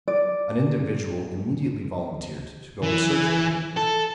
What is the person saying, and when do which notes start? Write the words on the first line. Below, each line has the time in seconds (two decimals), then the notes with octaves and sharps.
An individual immediately volunteered to go in search of him.
0.08 D5
2.83 E3
3.77 A4